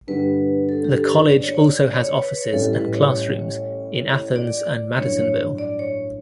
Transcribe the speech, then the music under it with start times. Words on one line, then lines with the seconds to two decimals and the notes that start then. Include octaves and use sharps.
The college also has offices and classrooms in Athens and Madisonville.
0.07 G2 D3 G3 B4
0.69 A4
0.84 G4
0.89 A4
1.09 B4
1.30 D5
1.42 C#5
1.55 D5
1.87 D5
1.91 C#5
2.07 C#5
2.22 B4
2.37 C#5
2.53 A1 A2 G3 C#4 A4
2.73 B4
2.93 C#5
4.36 D5
4.97 A1 G2 F#3 C#5
5.18 C#5
5.58 D5
5.79 C#5